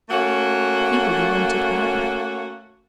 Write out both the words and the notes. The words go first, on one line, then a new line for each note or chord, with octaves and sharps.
He will be wanted badly.'
A3 A#3 C#4 F#4